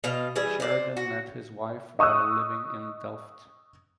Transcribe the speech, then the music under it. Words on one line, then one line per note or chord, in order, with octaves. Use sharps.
Sheridan met his wife while living in Delft.
B2 D#5 F5
E3 G3 G#4
C5 D5
F#4
D#5 C#6 D#6 E6 F#6